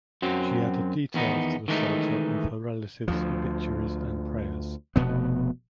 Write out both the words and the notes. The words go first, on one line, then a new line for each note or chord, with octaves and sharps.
She added details to the psalter of her relatives obituaries and prayers.
F#2 F#3 C4
E2 D#3 B3 D#4
D#3 E3 G#3 A3 C#4 D#4
D2 F3
F1 B2 B3